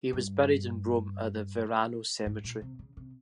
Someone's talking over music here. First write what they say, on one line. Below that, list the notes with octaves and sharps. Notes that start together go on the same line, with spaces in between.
He was buried in Rome at the Verano Cemetery.
G2
G#2
A#2
C3
C#3
C3